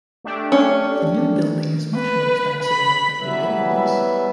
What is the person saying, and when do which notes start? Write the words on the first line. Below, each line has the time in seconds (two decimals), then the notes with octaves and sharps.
The new building is much more expansive and open than the old ones.
0.24 A3 D4 G4
0.52 C#4
1.95 B4
2.62 B5
3.20 E3 F#3 G3 B3 B4 E5